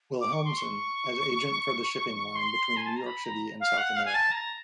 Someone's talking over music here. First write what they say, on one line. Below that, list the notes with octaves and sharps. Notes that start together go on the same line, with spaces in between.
Wilhelmsen as agent for the shipping line between New York City and South America.
D6
C#6
C6
C#6
C6
G#5
A5
A#5
B5
A#5
F5
F#5
F5
G#5
A5
A#5